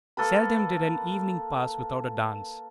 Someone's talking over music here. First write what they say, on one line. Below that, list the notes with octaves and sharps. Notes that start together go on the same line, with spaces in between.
Seldom did an evening pass without a dance.
A#3 A4 B4 B5